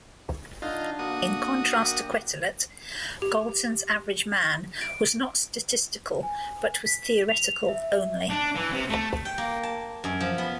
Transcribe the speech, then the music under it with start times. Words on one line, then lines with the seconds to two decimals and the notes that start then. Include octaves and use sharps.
In contrast to Quetelet, Galton's average man was not statistical but was theoretical only.
0.62 D3 D#4 F4
0.99 A#3 F#4 D#6
1.73 G4 A#4
3.22 G4
4.81 D7
6.23 G#5
6.86 B6
7.29 F7
7.68 E5
8.30 D4
8.55 E3
8.72 C3
8.90 A3
9.25 G5
9.38 A#3
9.63 A5
10.04 F#2
10.20 F3
10.38 B3